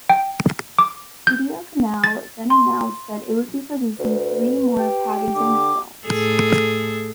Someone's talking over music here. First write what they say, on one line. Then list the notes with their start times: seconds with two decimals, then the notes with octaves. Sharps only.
StudioCanal then announced that it would be producing three more "Paddington" films.
0.10 G5
0.79 D6
1.27 G6
2.04 A6
2.50 C6
3.99 D2 B4
4.79 G4
5.35 D3 D6
6.07 A2 G#4 A4